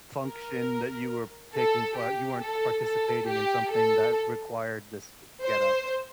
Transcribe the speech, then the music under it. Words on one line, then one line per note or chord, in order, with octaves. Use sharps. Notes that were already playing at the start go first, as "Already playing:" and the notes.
Function that you were taking part, you weren't participating in something that required this getup.
A#4
A4
G4
A4
A4
G4
A4
C5